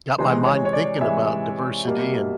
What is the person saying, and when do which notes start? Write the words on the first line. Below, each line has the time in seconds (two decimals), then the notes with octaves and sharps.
got my mind thinking about diversity and
0.18 C3 E3 G#3 C5
0.46 C#5
0.65 C#5
0.73 D5
1.01 C3 E3 G#3 E5
1.85 B2 G3 A#3